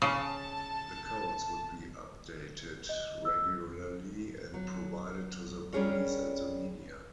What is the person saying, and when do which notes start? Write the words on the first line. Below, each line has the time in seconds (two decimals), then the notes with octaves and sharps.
The codes would be updated regularly and provided to the police and the media.
0.02 C#3 A5
2.89 D#5
3.25 E6
4.54 F#3
5.73 G3 C#4 D4 G#4 A#4 C#5